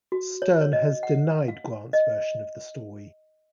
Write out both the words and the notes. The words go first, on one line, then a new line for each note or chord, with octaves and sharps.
Stern has denied Grant's version of the story.
F#4
C#5
C#5
D#5
F#5
F5
D#5